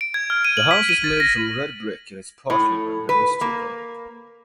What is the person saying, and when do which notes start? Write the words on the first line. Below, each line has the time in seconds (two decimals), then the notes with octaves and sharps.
The house is made from red brick and is partly rendered in stucco.
0.01 D7
0.14 G#6
0.30 F6
0.45 D#7
0.57 F#7
0.71 B6
0.89 D#7
1.04 A6
1.20 A#6
2.50 A2
3.09 B4
3.41 A#3